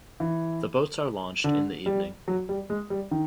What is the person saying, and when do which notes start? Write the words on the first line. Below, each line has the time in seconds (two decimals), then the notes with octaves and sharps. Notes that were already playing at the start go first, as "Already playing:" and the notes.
The boats are launched in the evening.
0.20 E3
1.44 D3
1.86 G3
2.28 F#3
2.49 G3
2.70 G#3
2.90 G3
3.11 D#3